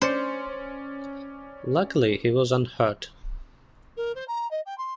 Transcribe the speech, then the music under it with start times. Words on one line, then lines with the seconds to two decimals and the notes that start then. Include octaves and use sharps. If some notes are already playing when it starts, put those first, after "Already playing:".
Luckily, he was unhurt.
0.02 C#4 C5 D5 C#7
3.97 A#4
4.15 C5
4.28 A#5
4.51 D#5
4.66 G5
4.78 C6